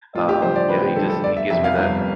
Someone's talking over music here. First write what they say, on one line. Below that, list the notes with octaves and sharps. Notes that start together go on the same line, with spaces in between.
uh, yeah, he just he gives me that
A1 F4
G4
G2 D3 F3 C5
D5
A1 B4
G4
G2 D3 F3 A4
A4
G1 D5
E5
F2 C3 G3 E5
F5
G1